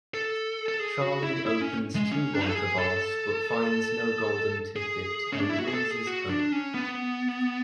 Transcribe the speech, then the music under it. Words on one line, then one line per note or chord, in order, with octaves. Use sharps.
Charlie opens two Wonka Bars but finds no Golden Ticket and loses hope.
A4
A4
G#4
F#4
E4
E4
C#4
G#3
C#4
D4
A4
G#4
A4
G#4
C#4
D4
E4
F#4
G#4
A4
G#4
F#4
D4
C#4
B3